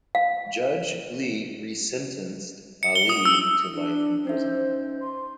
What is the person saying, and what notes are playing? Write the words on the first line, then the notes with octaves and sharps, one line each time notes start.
Judge Lee resentenced Ali to life in prison.
F5
C#7
G7
D#6
E6
D4
C#4 D#4 C5 E5
C6